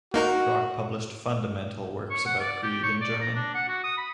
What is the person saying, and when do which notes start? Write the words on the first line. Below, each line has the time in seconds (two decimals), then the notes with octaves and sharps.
Brock published fundamental works about Grieg in German.
0.14 A#3 D#4 F#4 A#4
2.10 C#5
2.26 F#5
2.40 D5
2.63 G4
2.83 C#5
3.01 D5
3.21 A#5
3.35 D4
3.55 F#5
3.68 F#4
3.84 D#6
3.98 B5